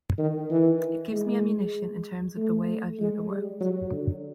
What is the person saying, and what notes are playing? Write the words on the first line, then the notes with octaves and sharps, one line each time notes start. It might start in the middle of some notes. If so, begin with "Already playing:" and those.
It gives me ammunition in terms of the way I view the world.
D#3
E3
G#3
A3
G#3
G3
F#3
D3